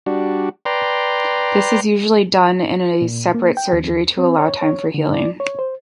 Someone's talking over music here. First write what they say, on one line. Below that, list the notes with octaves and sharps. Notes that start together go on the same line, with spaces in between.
This is usually done in a separate surgery to allow time for healing.
G3 D4 F#4
B4 D5 G5 A#5 C6
A#2
A#3
G5
D#2
C4
C#5
C#5
D3
D5
C#5
C5